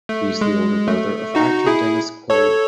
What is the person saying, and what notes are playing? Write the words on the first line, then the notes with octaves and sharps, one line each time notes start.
He is the older brother of actor Dennis Quaid.
A3
G#3
A3
D#4 F#4
E4 G#4
A4 C#5